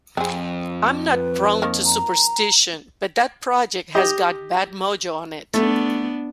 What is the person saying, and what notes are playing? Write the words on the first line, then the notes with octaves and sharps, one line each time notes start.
I'm not prone to superstition, but that project has got bad mojo on it.
F2 C4 G#4
B4
D#3 F3 A#3
A#5
G4 D#5
A3 B3 D4